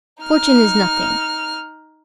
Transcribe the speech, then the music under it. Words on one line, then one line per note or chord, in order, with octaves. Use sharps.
Fortune is nothing.
D#4 F6